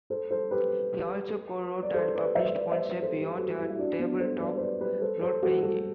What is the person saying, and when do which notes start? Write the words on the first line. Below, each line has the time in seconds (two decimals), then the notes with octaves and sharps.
He also co-wrote and published "One Step Beyond", a tabletop role-playing game.
0.10 A4 C5
0.30 A4 C5
0.51 G4 B4
1.83 D5
1.94 A4 C5
2.15 B4 D5
2.35 C5 E5
2.56 B4 D5
2.71 C5 E5
3.02 A4 C5
3.17 G4 B4
3.37 F#4 A4
3.58 E4 G4
3.70 E4
3.79 D4 F#4
3.99 B3 D4
4.20 A4 C5
4.40 B4 D5
4.56 C5
4.61 B4 D5
4.81 G4 B4
5.01 A4 C5
5.22 A4 C5
5.43 F#4 A4
5.63 F#4 A4